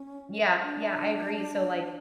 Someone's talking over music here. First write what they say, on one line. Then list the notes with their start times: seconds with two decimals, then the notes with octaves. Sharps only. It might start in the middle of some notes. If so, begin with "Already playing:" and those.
Yeah, yeah, I agree. So, like,
Already playing: C#4
0.63 D4